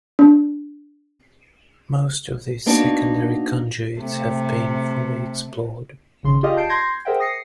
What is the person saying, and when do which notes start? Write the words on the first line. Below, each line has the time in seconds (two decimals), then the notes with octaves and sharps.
Most of these secondary conduits have been fully explored.
0.19 D4
2.66 A#3 B3 D4 D#4 F#4
3.98 C3 A3
6.23 G#1 C#3 C6
6.43 F4 G4 G#4 D5 D#5 F5
6.57 A5 G6 C7 D7
6.69 C6 G6 G#6 A#6 C7
7.05 G#4 A#4 C5 E5 F#5 G5
7.20 D#6 A#6 C7 C#7